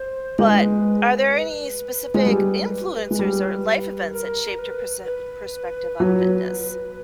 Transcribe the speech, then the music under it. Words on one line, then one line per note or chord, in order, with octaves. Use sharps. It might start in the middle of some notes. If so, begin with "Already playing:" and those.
but are there any specific influencers or life events that shaped your perse perspective on fitness?
Already playing: C5
G#3 B4
G#3
G3
G#3
G3
A#4
B4
B4
F#3